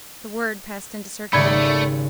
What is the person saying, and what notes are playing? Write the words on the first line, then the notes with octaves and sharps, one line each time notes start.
The word passed into circulation.
G#1 C#3 G3 A3 D5 B5 G#6